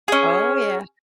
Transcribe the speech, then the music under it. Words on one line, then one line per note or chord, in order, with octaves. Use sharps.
Oh, yeah.
C#4 G#4